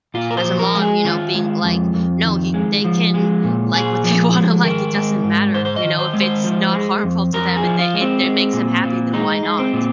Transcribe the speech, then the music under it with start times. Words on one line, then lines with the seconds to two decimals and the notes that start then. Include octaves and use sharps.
as a mom, you know, being like, "No, y they can like what they wanna like, it doesn't matter, you know, if it's not harmful to them and they it it makes them happy, then why not?
0.14 A#2 F4
0.31 A#4
0.37 C5
0.44 F3
0.59 A#4
0.75 G#3
0.82 G#4
1.04 D#3 F4
1.34 G#3
1.64 F2
1.94 F2
2.24 D#3
2.54 G#3
2.84 F3
3.14 G#3
3.44 A#2
3.74 A#2 G#4
4.04 F3
4.34 G#3
4.64 D#3 A#4
4.93 G#3
5.24 G#2
5.54 G#2 C5
5.65 C5
5.76 D#5
5.84 D#3
5.99 C5
6.13 G#3
6.21 C5
6.44 F3
6.74 G#3
7.04 F2
7.33 F2 A#4
7.56 G#4
7.64 F3
7.79 F4
7.94 G#3
8.01 C4
8.24 G#3
8.53 A#2
8.84 A#2
9.13 G#3 D#4
9.43 G#3
9.59 C4
9.73 A#2